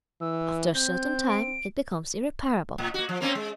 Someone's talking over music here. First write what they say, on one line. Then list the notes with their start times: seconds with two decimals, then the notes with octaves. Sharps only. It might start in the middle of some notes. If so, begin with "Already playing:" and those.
After a certain time it becomes irreparable.
0.21 E3 E6
0.75 C4 G6
1.30 D7
2.78 A2
2.94 A#3 F#4
3.09 F3
3.21 A#3 C4 C#4
3.35 G#3